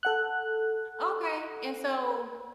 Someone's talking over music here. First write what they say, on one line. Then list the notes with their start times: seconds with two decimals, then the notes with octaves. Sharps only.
Okay, and so,
0.03 A4 F#5 F#6